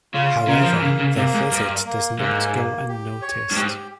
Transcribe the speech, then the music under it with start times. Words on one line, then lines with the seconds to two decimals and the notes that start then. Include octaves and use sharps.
However, their visit does not go unnoticed.
0.14 C#3 F4
0.47 C#3 A#4
0.63 F3
0.73 E3
0.82 C#3 A#3
0.99 C#3
1.16 C3 A#3
1.34 G#2
1.51 G2 A#4
1.85 A#3
2.19 G#2 A#3
2.54 A#3
2.89 G4
3.22 C#5
3.51 G2
3.56 G#2 G4